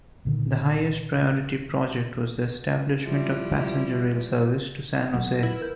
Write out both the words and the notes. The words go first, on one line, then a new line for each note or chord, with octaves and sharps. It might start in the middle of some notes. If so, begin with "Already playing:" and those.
The highest-priority project was the establishment of passenger rail service to San Jose.
C2 A#2 D3 D#3
F3 G3 E4
D#1 F#3 A#3 F#5
E4 B4
A#4 G6